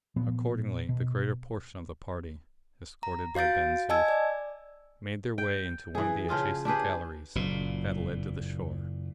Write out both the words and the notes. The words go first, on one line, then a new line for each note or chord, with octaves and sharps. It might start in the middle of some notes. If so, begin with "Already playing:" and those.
Accordingly the greater portion of the party, escorted by Ben Zoof, made their way into one of the adjacent galleries that led to the shore.
A#2 F3 B3
B2
A#5
F#4 F5 G6 A6 D7
D#5 G#5 A5 E6 G#6
D5
G5
E3 G#4
C#3 F3 F4 G#4
D4 G4 G#4 B4
F#1 A#2